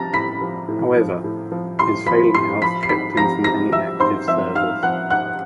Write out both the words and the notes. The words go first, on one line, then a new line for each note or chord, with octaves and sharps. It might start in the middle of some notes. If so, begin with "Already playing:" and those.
However, his failing health kept him from any active service.
Already playing: F3 A5 A#5 A6 A#6
A2 B5 B6
F3
A2
F3
A2
F3
A2 C6 C7
F3 B5 B6
A2 C6 C7
F3 B5 B6
C7
G#2 B5 B6
F3 A#5 A#6
G#2 A#5 A#6
F3 E5 E6
G#2 C5 C6
F3 E5 E6
G#2 F5 F6
F3 F#5 F#6
G#2 F#5 F#6